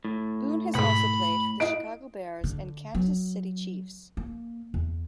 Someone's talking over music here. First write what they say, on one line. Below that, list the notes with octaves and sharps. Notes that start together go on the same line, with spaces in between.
Boone has also played for the Chicago Bears and Kansas City Chiefs.
A2
G#2 B2 B5
E4 D#5 D7
D3
F#3
A#3
E2